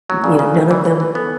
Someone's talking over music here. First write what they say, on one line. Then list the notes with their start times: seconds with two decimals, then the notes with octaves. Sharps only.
you know, none of them
0.09 F#3 C#5
0.24 C#3 D5
0.39 C#3
0.55 A3
0.70 E3 D5
0.85 E3 C#5
1.00 E3 B4
1.15 B3 A4